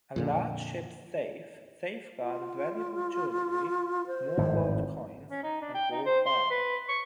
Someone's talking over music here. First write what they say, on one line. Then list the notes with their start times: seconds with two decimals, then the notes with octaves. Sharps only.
A large ship's safe safeguarded valuable jewelry, more gold coins, and gold bars.
0.16 F2 A#2 D3
2.22 F4
4.07 C5
4.37 G#1 F2 A2
5.31 C#4
5.43 D#4
5.62 D4
5.74 G5
5.91 D#4
6.06 C5
6.26 C6
6.51 B4
6.89 C#6